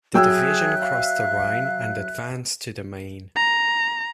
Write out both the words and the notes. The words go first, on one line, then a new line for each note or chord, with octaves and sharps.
The division crossed the Rhine and advanced to the Main.
F#3 G#4 E5 G5 E6 F#6
F5
A#5